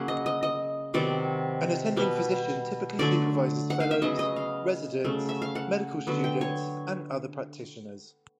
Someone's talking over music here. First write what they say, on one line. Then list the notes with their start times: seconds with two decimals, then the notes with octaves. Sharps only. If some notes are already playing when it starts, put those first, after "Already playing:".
An attending physician typically supervises fellows, residents, medical students, and other practitioners.
Already playing: C#3 F#3 A#3 F#5
0.08 D#5
0.26 D#5
0.43 D#5
0.94 C3 D#3 F#3 B3 D5
1.97 B2 G3 B3
2.99 D3 F#3 A3 D5
3.70 F#5
3.80 F5
3.91 E5
4.01 C#3 F#3 B3 D#5
4.19 D#5
4.36 F5
5.04 C#3 F#3 A3
5.29 E5
5.42 F5
5.55 F#5
6.07 D3 F#3 B3
6.24 G5
6.41 C#5